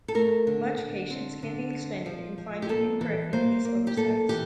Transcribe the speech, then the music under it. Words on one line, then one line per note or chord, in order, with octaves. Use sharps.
Much patience can be expended in finding and correcting these oversights.
A4
A3 A#4
D3
D3
C4
D3
C4
F3
F3
G4
A#3 A4
E3 A4
A#3 C5
A#3
G4
A#3 A4
E3 G4